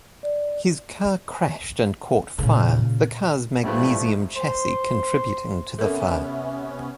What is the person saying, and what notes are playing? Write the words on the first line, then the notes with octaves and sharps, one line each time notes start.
His car crashed and caught fire, the car's magnesium chassis contributing to the fire.
D5
A#2 C#3
A#1 G#2 E3 F3 G3 A3 E4 B4
C5
C3 B3 C#4 A4 A#4 E5